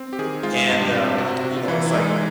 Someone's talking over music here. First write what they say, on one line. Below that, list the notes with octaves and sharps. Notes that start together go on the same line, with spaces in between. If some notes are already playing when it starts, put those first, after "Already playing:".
And, um, you know, it's, like,
Already playing: C4
G4
D#3 G#4
G#3 F4
G2
G4
C4
C3 F#4
C3
F4
E3
E4
G#3 D#4